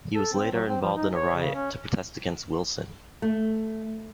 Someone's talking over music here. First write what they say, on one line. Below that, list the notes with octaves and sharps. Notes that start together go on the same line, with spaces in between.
He was later involved in a riot to protest against Wilson.
A4
C4
F#3
C4
F3
D#4
C#5
C#3
C#4
A3